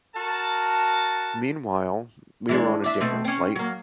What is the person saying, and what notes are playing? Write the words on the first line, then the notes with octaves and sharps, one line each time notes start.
Meanwhile, we were on a different flight.
F#4 A#4 A5
E3 G#3 D4
D4 E5
B2 A3 C4
C4 C#4
F#3 A#3